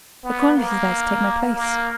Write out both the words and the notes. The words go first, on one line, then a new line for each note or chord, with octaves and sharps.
"The cornet is there to take my place."
B3
A#3
A#3